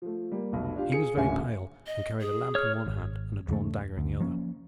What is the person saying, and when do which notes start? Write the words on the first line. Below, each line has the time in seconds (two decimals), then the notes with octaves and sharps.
He was very pale, and carried a lamp in one hand and a drawn dagger in the other.
0.02 F3 A3
0.32 G3 A#3
0.52 F1 B1
0.76 D4 F4 G4 F5
0.92 G#4 C#7
1.16 D#1 A1 D3 C#4 E5 G#5
1.87 D#5
2.21 G#4
2.55 C#5 F6
2.86 G#1
3.48 E2 C#3 A3
3.97 D2
4.20 F3 A#3 C#4